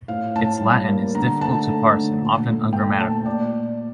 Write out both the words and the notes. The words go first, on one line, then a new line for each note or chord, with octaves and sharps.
Its Latin is difficult to parse and often ungrammatical.
A2 F5
A2 A5
G3
A#3
D3 A#5
A3 A5
A3
D3
A#2
A3
A3 G5
A#2 A5
A#2 D5